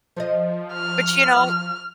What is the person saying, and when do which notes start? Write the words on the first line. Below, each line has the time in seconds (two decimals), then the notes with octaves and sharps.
But you know,
0.17 F3 C5 C#5 D#5
0.73 F6